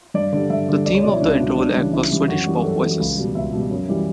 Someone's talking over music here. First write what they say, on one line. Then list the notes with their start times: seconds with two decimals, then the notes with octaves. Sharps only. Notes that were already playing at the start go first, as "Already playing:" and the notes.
The theme of the interval act was "Swedish Pop Voices".
0.14 G2 D5
0.33 D3 G3
0.50 G2 E5
0.69 D3 G3
0.86 C#2 D5
0.95 C#5
1.04 B2 F#3 D5
1.13 E4
1.21 C#2 D4
1.39 B2 F#3
1.57 C#2 D4
1.75 C#3 E3 G3
1.93 C#2 E4
2.11 C#3 E3 G3
2.28 F#2 F#4
2.46 E3 G3
2.65 F#2 A4
2.82 E3 G3
2.99 C#2
3.18 B2 G3
3.35 C#2 E5
3.53 B2 G3
3.71 F#2
3.89 E3 G3